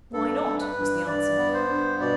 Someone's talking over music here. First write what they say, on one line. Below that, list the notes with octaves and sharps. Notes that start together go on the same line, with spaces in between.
"Why not?" was the answer.
G2 A4
G2
B4
G2
G2 D5
B3
C5
G2
B2 D5